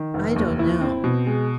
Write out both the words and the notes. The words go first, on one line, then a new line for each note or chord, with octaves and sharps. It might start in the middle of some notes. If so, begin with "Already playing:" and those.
I don't know.
Already playing: D#3
F1
D#2
E4
C4
B2
G#3